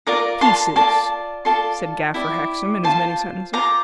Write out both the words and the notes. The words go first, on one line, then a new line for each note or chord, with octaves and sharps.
Pieces,' said Gaffer Hexam, in as many sentences.
F4 A#4 D5 A#5 D6
A5 C6
A#4 D5 A5 C6
F4
F4 A4 D5 A5 C6
E4 G4 D5
F4 C5 A5 C6
F4 C5 A#5 D6